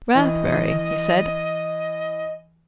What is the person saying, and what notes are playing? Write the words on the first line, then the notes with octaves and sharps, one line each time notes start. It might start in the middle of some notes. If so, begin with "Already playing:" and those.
"Rathbury!" he said.
E3 D#5